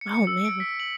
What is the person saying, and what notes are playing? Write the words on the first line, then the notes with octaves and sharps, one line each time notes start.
Oh, man.
C#7
C#7
E6
D7
B6
F#7